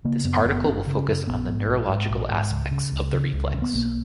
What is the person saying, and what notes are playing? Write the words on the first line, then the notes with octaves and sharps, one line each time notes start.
This article will focus on the neurological aspects of the reflex.
C#3 A#3
F#2 B3
F#1 B3
F#1 C#4
C#3
C#4
F#2
A#1 B3
G#2
A#1
G#2
A#1
G#2
C#2
C#3
C#2
C#3
C#2
C#3
B3
B1 A#3